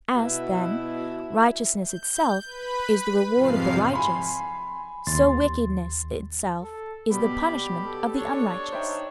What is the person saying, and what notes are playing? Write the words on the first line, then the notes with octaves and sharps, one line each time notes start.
As, then, righteousness itself is the reward of the righteous, so wickedness itself is the punishment of the unrighteous.
B2 E4
G6
B4 B5
F2 G#2 C3 F3 F5 C7
G#5 B5 C6
D#2 C6 A6
A4
B2 G3 B3 G4 B5
A4
D4 C#5
D#4 C5 E5 G5